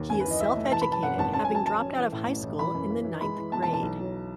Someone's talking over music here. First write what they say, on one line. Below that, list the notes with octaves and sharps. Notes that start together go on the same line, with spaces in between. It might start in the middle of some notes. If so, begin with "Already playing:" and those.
He is self-educated, having dropped out of high school in the ninth grade.
Already playing: D#2
F#2 G#5
B4
E3
D#5
E3 E5
A3
E3 A5
B5
E3 A5
F#2 F#5
G#1 A5
C#4 A5
G#5
F#3
A5
F#3 A5
C#4
E3
A2
A1
A1
E3 B5
F#2
E3
E3
G#3 B5
E3
B3 A5
A5
E3
A5
B1
F#3